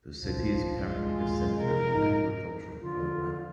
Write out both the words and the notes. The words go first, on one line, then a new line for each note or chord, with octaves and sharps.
The city is currently the center of an agricultural program.
D1 B1 F3
G#3 F4
A#1 D#2
C3 A#4
A#1 G#2 D#4
D3 F3 F4